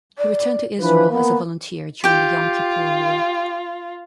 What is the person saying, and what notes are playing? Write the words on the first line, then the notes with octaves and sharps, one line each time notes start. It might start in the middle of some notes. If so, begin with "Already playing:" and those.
He returned to Israel as a volunteer during the Yom Kippur War.
D5
E3 F3 D4 B4
A#3 B3
F4 G4 G5